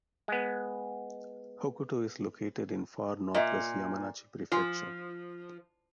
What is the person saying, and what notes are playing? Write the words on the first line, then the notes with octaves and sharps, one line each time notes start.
Hokuto is located in far northwest Yamanashi Prefecture.
G#3 B3
A#2 D#5 E5
F3 F4 G#5 C6